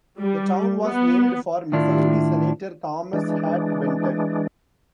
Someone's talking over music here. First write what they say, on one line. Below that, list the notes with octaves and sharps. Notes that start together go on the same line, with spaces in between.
The town was named for Missouri Senator Thomas Hart Benton.
G3
B3
A2 D#3 D4 E4 F4
E3 G#3 D4